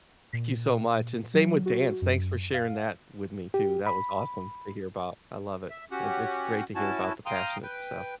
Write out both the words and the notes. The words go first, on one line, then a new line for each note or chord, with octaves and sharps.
Thank you so much, and same with dance, thanks for sharing that with me too. That was awesome to hear about, I love it, I it's great to hear about the passionate stuff.
A#2
F#3
F#4
F#2
F5
G4
B5
E5
C#4 F#4 G4 F#5
C#4 E4 F#4 A5
F5 G5 A#5 C6 D#6 F6
B4 G5